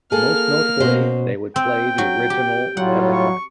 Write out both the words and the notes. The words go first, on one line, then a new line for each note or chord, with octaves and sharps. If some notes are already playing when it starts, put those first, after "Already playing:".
Most notably, they would play the original EverQuest.
A#3 G#4 A4 F6
B2 C#4 F#4 C5
C4 G5
F#3 F#4
G4
A2 F#3 G3 F4 F#5
C#6